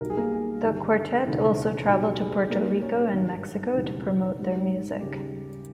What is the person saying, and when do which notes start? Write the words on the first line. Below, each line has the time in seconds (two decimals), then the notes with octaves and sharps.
The quartet also traveled to Puerto Rico and Mexico to promote their music.
0.01 B1 B2 G3 A#4
0.10 G#4
0.17 A#3 A#4
0.32 G#4
0.63 G1 G2 D#3 G3
1.25 E1 D#2 C#3 E3
1.88 B1 B2 G3 G4
2.19 G#4
2.50 B1 B2 G3 A#3 A#4
2.81 C#4 C#5
3.13 G#1 G2 D#3 G3
3.75 E1 D#2 C#3 E3 G3
4.38 G#1 G#2 D#3 G3
5.00 D#2 C#3 G3 G4